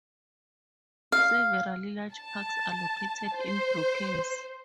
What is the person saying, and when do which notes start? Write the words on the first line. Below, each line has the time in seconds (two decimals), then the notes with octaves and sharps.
Several large parks are located in Brookings.
1.12 F5
2.13 A5
3.37 C5